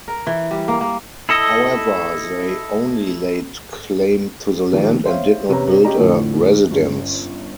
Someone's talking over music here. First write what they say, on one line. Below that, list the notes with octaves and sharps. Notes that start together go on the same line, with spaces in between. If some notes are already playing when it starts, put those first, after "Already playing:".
However, they only laid claim to the land and did not build a residence.
A#4
E3
G3
A#3
A#3
E4 A4 D#5
D#3 F3 G3 A3
C5 C#5 E5 F5
C3 C#4 B4 C#5 A#5
C#4 G4 G#4 D#5 A#5
F2 A2 D3 A3
G1 C#4